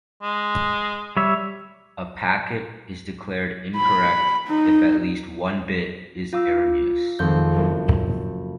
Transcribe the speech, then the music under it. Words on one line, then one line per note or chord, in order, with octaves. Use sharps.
A packet is declared incorrect if at least one bit is erroneous.
G#3
G3 C#5 E5
B5
D#4
F4 F5 D6 E6
G#1 F2 G6
F#1